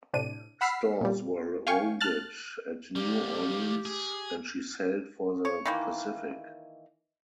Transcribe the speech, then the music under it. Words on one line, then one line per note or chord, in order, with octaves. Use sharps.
Stores were loaded at New Orleans and she sailed for the Pacific.
A2 C3 D4 D#7
F#5 B5 E6 F6 B6 C7
A#2 G3
F5 G5 G#5 C#6
A5 F6 F#6 A6
G3 A#3 G4
G#4
C#5
D#3 E3 A#3